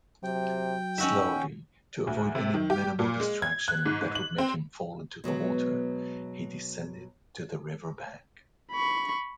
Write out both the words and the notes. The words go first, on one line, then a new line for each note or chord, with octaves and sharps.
Slowly, to avoid any minimal distraction that would make him fall into the water, he descended to the riverbank.
C3 F#3 G5
C#4 D#4 F#4 E5
D2
C3
D#3
G4
A#2
G#3
G#6
F#6
G#2
G#2
F#7
C4
B2 F#3 G#3 B3
B5 C#6